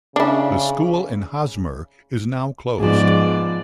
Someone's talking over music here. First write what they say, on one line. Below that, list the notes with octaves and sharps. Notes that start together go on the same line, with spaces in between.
The school in Hosmer is now closed.
C#3 D4 E4
G#2 F3 B3 G#4 D5